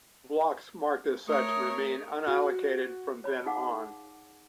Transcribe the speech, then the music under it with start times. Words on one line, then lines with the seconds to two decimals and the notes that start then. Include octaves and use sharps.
Blocks marked as such remain unallocated from then on.
1.28 A3 A#4 C#5 D#6
2.27 F#4
3.24 C#5 B5
3.46 D#4 G#4 F5 F#5 D6